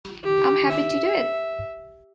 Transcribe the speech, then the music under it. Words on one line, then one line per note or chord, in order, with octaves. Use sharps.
I'm happy to do it.
G4
E5